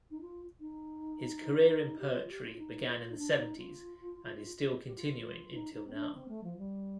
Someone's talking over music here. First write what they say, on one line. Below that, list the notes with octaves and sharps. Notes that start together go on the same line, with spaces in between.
His career in poetry began in the seventies and is still continuing until now.
D#4
F4
D#4
G4
F4
G4
F4
D#4
F4
D#4
D4
D#4
F4
G4
F4
F4
D#4
D#4
C4
D4
C4
A3
F3
G3